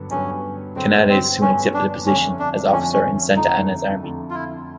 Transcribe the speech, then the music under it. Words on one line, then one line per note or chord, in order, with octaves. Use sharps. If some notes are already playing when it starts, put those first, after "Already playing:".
Canales soon accepted a position as officer in Santa Anna's army.
Already playing: G2 D3 F#3 B3
G2 D3 F#3 B3 C#4
G2 D3 F#3 B3 C4
C4
G2 D3 F#3 B3 C#4
D4
F2 D3 F3 A3 C#4
D4
F2 D3 F3 A3 C#4
C#4
F2 D3 F3 A3 D#4
F2 D3 F3 A3
F4
E4